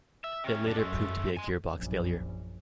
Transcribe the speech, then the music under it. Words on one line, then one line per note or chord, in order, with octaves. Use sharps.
It later proved to be a gearbox failure.
E5
C3 C#4
F#2 G3 D4
F#2 G#3 A3
G#5 C6
A#1 F#2